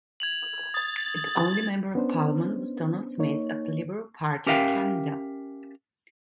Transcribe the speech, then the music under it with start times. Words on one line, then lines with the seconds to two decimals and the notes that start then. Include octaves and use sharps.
Its only Member of Parliament was Donald Smith of the Liberal Party of Canada.
0.20 G#6 F7 F#7
0.74 D#6 A6
1.95 B3 C#4 D4 C5
3.19 A#3 D#4 C#5
4.47 C#4 G4 A#4 E5 F5 G5